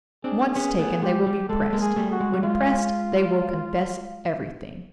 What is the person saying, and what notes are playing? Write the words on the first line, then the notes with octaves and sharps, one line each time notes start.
Once taken, they will be pressed; when pressed, they will confess everything.
C4 D4 G#4
B3 C#4 G#4
A3 B3
G#3 G4
G3
G#3 A4
G#3 A#3
G#4
G3 A3
F#4
G#3
G3
G#3 F4